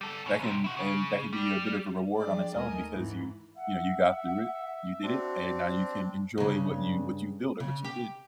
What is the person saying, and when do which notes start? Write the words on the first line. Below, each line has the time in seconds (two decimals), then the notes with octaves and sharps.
That can and that can be a bit of a reward on its own because you you know, you got through it, you did it, and now you can enjoy what you what you've built or what you did.
0.01 G3 A4
0.26 B2 C#4
0.39 B1 C3
0.64 E4 F#4
0.77 C#3
1.33 G3
2.18 F3 D4 G4 G#4 D5
2.52 D#2 G#3 A3 A#4 D#5 G#5
2.91 G#2 E3
3.57 E5 F#5
5.03 C4 D4 F#4
6.38 G2 C#3
7.60 C#3
7.84 G4